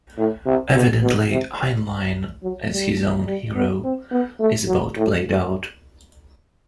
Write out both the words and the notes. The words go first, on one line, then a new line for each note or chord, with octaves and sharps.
Evidently, Heinlein as his own hero is about played out.
A2
C3
B2
B2
C3
F#3
G3
G3
B3
C4
B3
A3
F#3
A2